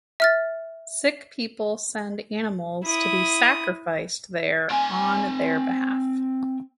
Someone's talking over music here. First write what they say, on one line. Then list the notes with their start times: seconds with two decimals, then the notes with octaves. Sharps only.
Sick people send animals to be sacrificed there on their behalf.
0.20 E5 F6 A6
2.84 E4 D#6
4.70 C4 G#5